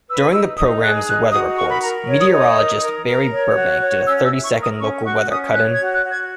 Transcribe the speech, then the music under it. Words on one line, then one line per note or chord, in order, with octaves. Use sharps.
During the program's weather reports, meteorologist Barry Burbank did a thirty-second local weather cut-in.
B4 E6
D#4 E6
D#4 D#6
G#4 F#6
D#4 F#6
F#4 D#6
A#4 C#6
B5
A#4 A#5
C#5
D#6
D#4
D#6
A#4
A#4
A#4
C#5
F#4
C#5
C#4 E6
E6
E4
C#6
A#4
D#6
C#4 C#6
F#4 C#6
C#4 D#6
C#5 F#6
G#6
F#4
F#6
F#4
G#6